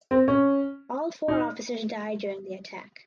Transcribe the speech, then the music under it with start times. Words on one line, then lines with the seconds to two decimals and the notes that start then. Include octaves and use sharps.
All four officers die during the attack.
0.11 C4
0.28 C#4
1.28 D#4